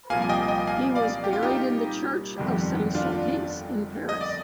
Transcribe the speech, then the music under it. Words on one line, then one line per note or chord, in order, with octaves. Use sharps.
He was buried in the Church of S. Sulpice in Paris.
C2 A#2 F3 A#3 F5 G#5
G#5
D#5 G5
D#5 G5
F5 G#5
D5 F5
G4
F4
D#4 G4
G1 F2 D#3 G3
D4 F4
D#5
D5